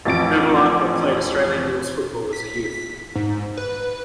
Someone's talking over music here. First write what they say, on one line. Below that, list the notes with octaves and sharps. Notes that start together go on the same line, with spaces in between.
Bevilaqua played Australian rules football as a youth.
A1 F2 A6 D7
B6
G#2
B4